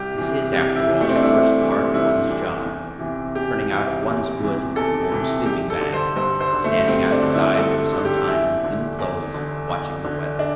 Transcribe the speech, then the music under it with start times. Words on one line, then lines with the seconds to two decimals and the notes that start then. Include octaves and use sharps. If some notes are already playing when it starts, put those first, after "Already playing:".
This is, after all, the worst part of one's job -- turning out of one's good, warm sleeping-bag, and standing outside for some time in thin clothes, watching the weather.
Already playing: C2 G4
0.18 C3 E3
0.52 C2 G4
0.76 E4
0.88 C3 E3
1.01 A3
1.09 C4
1.16 D4
1.23 C2 E4
1.58 C3 E3
1.93 C2 E4
2.29 C3 E3
2.64 E2
2.99 C3 E3
3.34 E2 G4
3.70 C3 E3
4.06 E2
4.40 C3 E3
4.76 E2 A4
5.11 C3 E3
5.46 G2 G4
5.70 A4
5.81 D3
5.93 C5
6.16 G2 C5
6.40 C5
6.53 D3
6.64 A3
6.87 G2 C4
7.11 D4
7.23 D3
7.34 E4
7.57 G2 A4
7.93 D3
8.05 G4
8.28 E2 E4
8.64 D3
8.98 E2
9.34 D3
9.69 E2
10.04 D3
10.39 D4